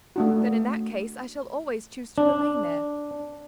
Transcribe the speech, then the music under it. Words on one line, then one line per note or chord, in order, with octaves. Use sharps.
"Then in that case I shall always choose to remain there."
A3 D4 F#4
D4